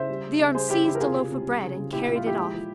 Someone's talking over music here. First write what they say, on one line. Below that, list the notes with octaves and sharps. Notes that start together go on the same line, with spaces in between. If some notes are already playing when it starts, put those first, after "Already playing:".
The arm seized a loaf of bread and carried it off.
Already playing: C#3 C5 E5
G3
C#3
C#3
G3 G#4 C5
C#3 E4 G4
C#3 E4 G4
A#4
C3 F4 G#4
C3
C3
G3
C#3
C#3
A#2 E4 G4
A#2 E4
F4
F3 E4 G4
G#3
F3